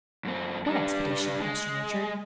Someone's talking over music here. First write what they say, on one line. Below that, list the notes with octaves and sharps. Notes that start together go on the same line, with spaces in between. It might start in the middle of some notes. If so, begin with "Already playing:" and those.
"What expedition?" questioned Richard.
F#2 C4
G3 D4
G#3